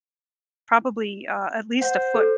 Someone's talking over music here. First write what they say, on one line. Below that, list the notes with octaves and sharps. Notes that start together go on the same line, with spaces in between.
probably, uh, at least a foot
C5 F#5
A4